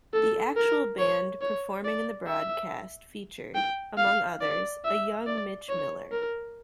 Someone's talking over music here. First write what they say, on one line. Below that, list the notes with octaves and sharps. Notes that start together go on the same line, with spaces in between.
The actual band performing in the broadcast featured, among others, a young Mitch Miller.
A4
A#4
C#5
C#5
D5
E5
G5
F5
D5
E5
D5
C#5
A#4